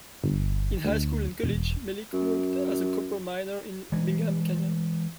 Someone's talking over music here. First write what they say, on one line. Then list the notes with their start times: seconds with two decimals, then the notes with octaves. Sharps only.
In high school and college Melich worked as a copper miner in Bingham Canyon.
0.24 G1
0.85 D2
1.44 E1
2.13 F#2
3.92 E3 G#3